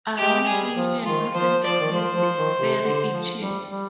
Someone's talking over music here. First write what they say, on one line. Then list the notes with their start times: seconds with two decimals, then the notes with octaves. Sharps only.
Around two million passengers use the ferry each year.
0.18 G#3 G4
0.46 G3 G#4
0.75 F3
1.05 D#3 F4
1.34 F3 C5
1.63 F3 D5
1.80 D#3
1.92 F3 C5
2.15 F3
2.37 D#3
2.58 C3
2.81 D3
3.10 F3
3.39 G3
3.68 G3